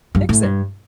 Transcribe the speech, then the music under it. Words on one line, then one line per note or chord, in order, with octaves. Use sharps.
fix it."
G2
A2
G2